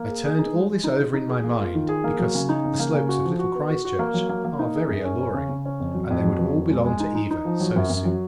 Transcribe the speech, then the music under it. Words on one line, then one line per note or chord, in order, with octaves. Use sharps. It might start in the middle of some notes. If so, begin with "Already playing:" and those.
I turned all this over in my mind, because the slopes of Little Christchurch are very alluring, and they would all belong to Eva so soon.
Already playing: A#3
G#4
G#4
D#4
G#3
G#3
D#4
D#4
D#4
G#4
A#3
F4
D#3
G#4
A#3
F#3
C#3
D#4
C#3
A#3
C#3
F#4
F3
F#4
B3
F#4
F#4
A#3
F#3
A#3
A#3
D#4
G#4
F#2
C#4
C#4
C#3
C#3
C#4
F2
F#3
F2
F#3
F#3
F2
G#3
G#3
D#4
D#4
D#4
F3
F#3
F#2
F#2
F#3